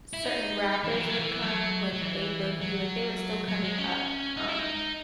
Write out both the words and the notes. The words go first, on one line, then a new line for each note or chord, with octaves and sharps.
certain rappers would come, like A-Boogie, like, they were still coming up, um,
E4
D#4
E3
F#3
E3
F#3
E3
F#3
F#3
E3
F#3
F#3
G#3
C#4
D#4
E4
D#4